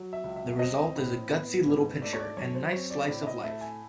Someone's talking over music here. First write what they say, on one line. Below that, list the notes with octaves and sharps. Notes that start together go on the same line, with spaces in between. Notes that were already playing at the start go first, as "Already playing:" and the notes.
The result is a gutsy little picture and a nice slice of life.
Already playing: F#3
E5
C#2
E5
E5
C4 D#5
A2
B3
G#2
A3 D5
C#5
D5
F#2 C#5
C5
C4 C#5
D5
A2 D5
E5
D#5
A3 E5
G#5